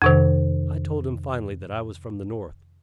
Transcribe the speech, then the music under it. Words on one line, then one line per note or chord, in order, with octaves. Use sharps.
I told him finally that I was from the North.
F2 C3 D#3